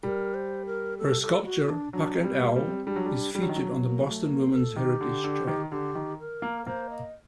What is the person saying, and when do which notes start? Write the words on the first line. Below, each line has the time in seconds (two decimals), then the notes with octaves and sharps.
Her sculpture, "Puck and Owl", is featured on the Boston Women's Heritage Trail.
0.03 G3 A#4
0.34 C5
0.66 A#4
0.98 A4
1.22 A4
1.45 F#4
1.69 D4
1.93 F#3 D4
2.16 C4
2.24 G3
2.40 A#3
2.56 G3
2.64 C4
2.87 G3 D4
2.96 F#3
3.06 G3
3.34 G3 D4
3.42 F#3
3.49 D#3
3.56 F#3
3.83 A#3
4.06 A3
4.29 A#3
4.53 A#4
4.58 A4
4.76 D#3 G4
5.01 D3
5.24 D3
5.47 D#3
5.71 D3 G4
5.95 D#3
6.19 A#4
6.42 A#3
6.66 A#3 C5
6.90 D#5